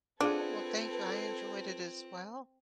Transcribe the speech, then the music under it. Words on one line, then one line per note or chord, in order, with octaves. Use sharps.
Oh, well, thank you. I enjoyed it as well,
C4 D4 F4 G#4 A4 B4 F#5 G#6